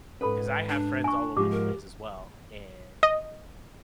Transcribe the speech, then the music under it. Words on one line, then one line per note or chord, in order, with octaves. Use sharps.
'cause I have friends all over the place as well, and
G#2 C#4 A4 B4 B5
D4
G#5 C#6
G#2 F3 G#3 G4 D6
A#4
D#5